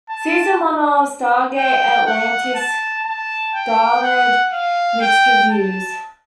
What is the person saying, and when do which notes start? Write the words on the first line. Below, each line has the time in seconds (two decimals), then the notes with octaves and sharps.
Season one of "Stargate Atlantis" garnered mixed reviews.
0.09 A5
1.57 G5
2.06 F#5
2.55 A5
3.05 A5
3.54 G5
4.03 F#5
4.53 F5
5.01 G5
5.51 A5